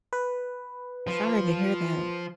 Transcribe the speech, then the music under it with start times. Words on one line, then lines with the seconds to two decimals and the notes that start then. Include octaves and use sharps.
sorry to hear that.
0.13 B4
1.07 F3